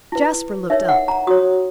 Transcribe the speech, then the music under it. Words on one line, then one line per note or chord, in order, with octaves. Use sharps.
Jasper looked up.
E4 B4
D#4 A#4 C#5 E5
F#5
A#5
F#4 C#5 D#6